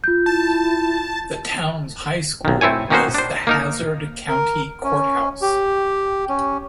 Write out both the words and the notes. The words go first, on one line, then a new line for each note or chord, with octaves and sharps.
The town's high school was the Hazzard County Courthouse.
F4 G6
E4 A5
B1 D#3
A3 C4 E4 C#5 G#5
D#3 A#3 C#4 D#4 F#4 C5
D4 C5
A#3 D#4 A#4
A#4
C#4
G4
C#4